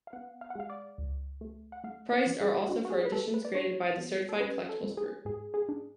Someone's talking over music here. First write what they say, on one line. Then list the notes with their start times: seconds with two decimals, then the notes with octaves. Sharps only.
Priced are also for editions graded by the Certified Collectibles Group.
0.07 F5
0.13 B3 F#5
0.41 F5
0.50 F#5
0.55 G#3 F5
0.70 D5
0.98 C#2
1.41 A3
1.72 F#5
1.84 A3 F5
2.12 C#5
2.26 F3
2.41 G#4
2.69 D4 F#4
2.85 F#4
2.90 G#4
3.05 B4
3.12 A3 A4
3.34 B4
3.45 D5
3.55 D4 C#5
3.98 B3
4.29 A4
4.40 C#4 B4
4.69 A4
4.83 G#3
4.97 G#4
5.25 G#2 G#4
5.54 G#4
5.69 D4